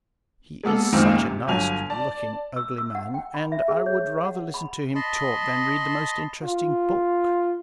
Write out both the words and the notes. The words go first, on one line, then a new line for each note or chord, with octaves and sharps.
He is such a nice-looking ugly man, and I would rather listen to him talk than read the most interesting book....
G#3 A#3 B3 A4
F#1 C#2 D#3 A#3 C4
C3
G1 F#3 G#5 F7
D5 A5
E6
E6
F#5
G5
B5
E5
G#4
C#5
C#5
F#5
B5
D#5 A5 B5 C6
F4